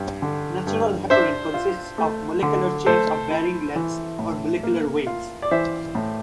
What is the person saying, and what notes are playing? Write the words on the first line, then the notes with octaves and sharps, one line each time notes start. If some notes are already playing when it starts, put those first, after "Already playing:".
Natural heparin consists of molecular chains of varying lengths, or molecular weights.
Already playing: G2
D3
G2
D4 C5 E5
F4
A3
D3
A3 A4 C5
E4
E3
A2
A#3
F4
D5
E3 C5 E5
A2